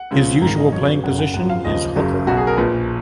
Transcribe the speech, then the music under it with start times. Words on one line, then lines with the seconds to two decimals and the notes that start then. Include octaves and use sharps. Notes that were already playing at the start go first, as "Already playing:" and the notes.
His usual playing position is hooker.
Already playing: F#5
0.11 C#2 C#3 F3
0.42 G#1 G#2 D#3 A#5
0.57 D#5
0.72 F2 C#3 F#3 C#5
0.88 B4
1.04 F#1 F#2 C#3 F#5
1.19 F#5
1.34 G#1 F#2 F3 F#5
1.50 F5
1.65 D#2 C#3 F3 D#5
1.96 F#1 F#2 C#3 F#3
2.27 B1 B2 F#3 F#4
2.37 G#4
2.47 A#4
2.57 A#1 A#2 F3 B4